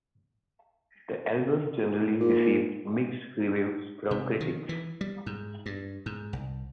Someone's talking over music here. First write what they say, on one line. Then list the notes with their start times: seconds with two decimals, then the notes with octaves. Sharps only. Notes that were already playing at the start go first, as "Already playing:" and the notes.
The album generally received mixed reviews from critics.
2.20 A#2
4.11 C3
4.40 D#3
4.69 E3
5.01 G3
5.26 G#2
5.66 G2
6.06 G#2
6.33 C2